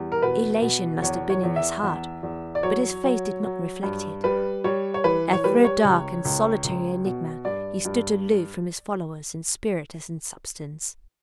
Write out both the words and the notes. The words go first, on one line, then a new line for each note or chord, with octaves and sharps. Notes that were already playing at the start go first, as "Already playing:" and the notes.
Elation must have been in his heart, but his face did not reflect it: ever a dark and solitary enigma, he stood aloof from his followers in spirit as in substance.
Already playing: E2 G3
A#4
B2 B4
B2
E2 C#5
C#5
E2
E5
E2
E2
D5
F#3 C#5
F#3
F#3
G2
G3 B4
G3 C#5
C#5
E3 B4
C#5
G3 B4
C#5
C#2
C#2
C#2
B2
G2 D5
G2